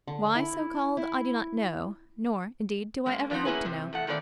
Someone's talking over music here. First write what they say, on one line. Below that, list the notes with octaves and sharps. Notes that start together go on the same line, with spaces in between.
Why so-called I do not know, nor, indeed, do I ever hope to know.
D3
E4
E4
G#3 A#3 C#4
D3 F3 B3 C4 D#4
A#3 B3 C#4 E4 G#4 B4
C3 C4
E2 A3 F#5
A#2 D#3 A3 B3 C4 D5